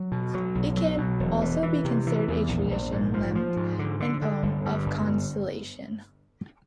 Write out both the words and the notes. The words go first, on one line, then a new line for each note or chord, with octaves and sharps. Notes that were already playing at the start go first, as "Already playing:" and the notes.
It can also be considered a traditional lament and poem of consolation.
Already playing: F#3
B2
F#3
B1
F#3
B2
E1
E3
E3
C3
E3
E2
A#1
A#1
G#2
F3
F3
G#2
D3
D3
D3
G1
G2
G1